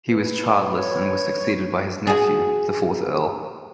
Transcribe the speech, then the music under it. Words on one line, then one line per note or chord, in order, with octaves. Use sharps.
He was childless and was succeeded by his nephew, the fourth Earl.
B4
C#5
F#4 G#4